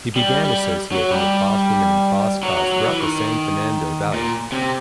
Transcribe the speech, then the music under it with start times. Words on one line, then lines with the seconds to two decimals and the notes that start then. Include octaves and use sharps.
He "began associating with fast women and fast cars throughout the San Fernando Valley".
0.16 G3
0.45 G3
0.92 F#3
1.11 G3
2.43 F#3
2.57 F#3
2.72 F#3
2.86 E3
3.00 D#3
4.14 A#2
4.52 C3